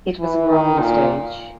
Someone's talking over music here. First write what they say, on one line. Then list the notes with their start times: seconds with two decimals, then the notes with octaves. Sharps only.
It was a growing stage.
0.20 E3
0.50 D#3
0.80 A#2